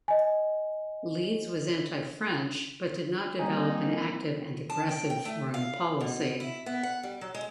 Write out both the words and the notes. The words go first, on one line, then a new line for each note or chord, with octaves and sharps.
Leeds was anti-French but did not develop an active and aggressive foreign policy.
D#5 G#5
D#3 G3 A#3 C4 D#4 G#5
A5
G5
G5
A3
F5
B2
E4
B3
F#5
G3
F#3
G#3